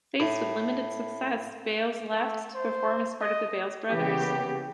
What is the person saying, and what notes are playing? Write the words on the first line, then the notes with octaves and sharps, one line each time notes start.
Faced with limited success, Bailes left to perform as part of The Bailes Brothers.
A2
A3
C5
D#5
C#3 E3 A#3 B3 G4